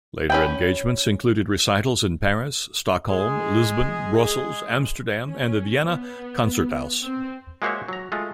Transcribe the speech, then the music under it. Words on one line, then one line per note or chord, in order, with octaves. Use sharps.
Later engagements included recitals in Paris, Stockholm, Lisbon, Brussels, Amsterdam and the Vienna Konzerthaus.
C#4 B4 G5
G#3 G#4
C#4
B3
C4
G#3 A#3 F#4 C5 C#5 E5
F#3 A#5
G#3 A3 F4